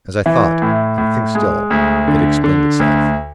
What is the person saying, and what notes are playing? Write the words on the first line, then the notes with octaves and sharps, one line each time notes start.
As I thought--and think still--it explained itself.
E3
A2
A2
G#3
D2
D3
D3
D2